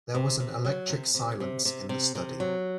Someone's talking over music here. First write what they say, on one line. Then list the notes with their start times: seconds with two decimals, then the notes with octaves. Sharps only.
There was an electric silence in the study.
0.14 C3
0.40 C3
0.65 F#3
0.90 C3
1.14 C3
1.40 C3
1.65 C3
1.89 C3
2.15 C3
2.40 F#3